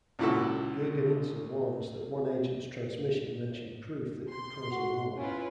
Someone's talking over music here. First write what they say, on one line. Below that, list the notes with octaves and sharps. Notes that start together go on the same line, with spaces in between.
Gurgenidze warns that one agent's transmission mentioned proof that could cause a war.
C#2 A#2 E4 F#4 A4
C6
F#4
C#4 E4 F4 B4